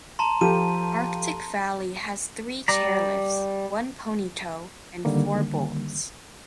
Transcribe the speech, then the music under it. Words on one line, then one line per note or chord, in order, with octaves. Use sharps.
Arctic Valley has three chair lifts, one pony tow, and four bowls.
A5 A#5 C6
F3 G4 A4 D#7
G3 D5 A#5
D3 D#3 G3 A#3